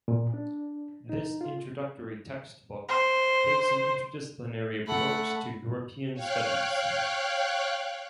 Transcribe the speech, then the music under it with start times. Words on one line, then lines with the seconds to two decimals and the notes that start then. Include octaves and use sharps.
This introductory textbook takes an interdisciplinary approach to European studies.
0.08 A#2
0.34 D4
1.09 D#4
1.41 F4
2.89 C5
4.88 A3 F#5 B5
6.14 C#5 F5 G5 F#6